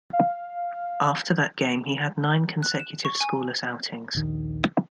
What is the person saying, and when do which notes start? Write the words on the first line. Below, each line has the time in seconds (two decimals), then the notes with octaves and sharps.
After that game, he had nine consecutive scoreless outings.
0.13 F5
2.63 F#6
2.79 E7
3.05 C#6
3.21 G#5
4.15 A#1 D#2 D#3